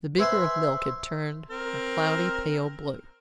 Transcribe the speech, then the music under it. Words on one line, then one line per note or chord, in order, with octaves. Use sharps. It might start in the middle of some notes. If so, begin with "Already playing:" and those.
The beaker of milk had turned a cloudy pale blue.
B4 C5 E5 G#5 B5 C6
C4 A#4